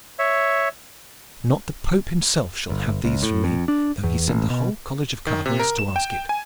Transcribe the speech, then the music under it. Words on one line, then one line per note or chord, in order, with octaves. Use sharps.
Not the Pope himself shall have these from me, though he sent the whole college of cardinals to ask it.
C#5 E5
G1
C#2
A2
F2
D4
E2
A1
B2
D#3
C3
A#4
E7
G5
G#5